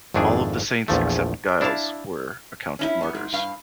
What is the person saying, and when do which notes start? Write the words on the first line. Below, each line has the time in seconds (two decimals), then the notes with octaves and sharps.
All of the saints except Giles were accounted martyrs.
0.14 G#1 F2 A3 D4 G#4
0.88 A#1 E2 F3 A3
1.61 D4 E4 E5 F5 A5
2.79 C#4 D#4 E4
3.01 G3 B3
3.14 G#2
3.33 G2 F5